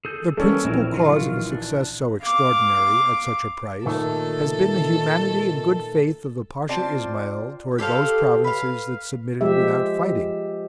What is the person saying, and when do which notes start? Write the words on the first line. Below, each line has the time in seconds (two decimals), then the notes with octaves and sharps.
The principal cause of a success so extraordinary, at such a price, has been the humanity and good faith of the Pasha Ismael towards those provinces that submitted without fighting.
0.05 G#4 A4 G6
0.37 E3 G3 A#3 C#4 A4
0.64 A#1 E3 C4 C#4 A#4
0.94 D#3 F#3 F4
1.52 D4
2.23 F5 D6
3.86 A#2 D#3 A3 A4
6.69 C4 F4 D5 A5
7.78 G4 A4 C5 F5
8.44 B4 F5
9.41 F3 G#3 G4 E5